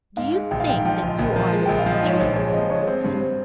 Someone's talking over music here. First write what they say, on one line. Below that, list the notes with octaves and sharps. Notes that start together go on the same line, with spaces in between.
Do you think that you are the only dream in the world?
G#2 F5
G#3
A#1 G5
F5
G#2 G5
F3 G5
A#1
D#5
A#1
A#4
F3
G#3
A#1 G5
F5
F3
D#5
G#2 C#5
A#1 C5
G#3 C#5
F3 D#5
G#3 C#5
C4 C5
G2
C5